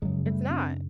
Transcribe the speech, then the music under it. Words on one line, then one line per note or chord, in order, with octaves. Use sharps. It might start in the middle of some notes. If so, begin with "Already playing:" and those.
It's not,
F#2 C#3 F#3 G#3
G3 A3
C4 D4